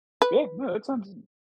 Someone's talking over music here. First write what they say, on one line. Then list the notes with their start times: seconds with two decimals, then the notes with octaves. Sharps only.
Well, no, that sounds
0.22 B4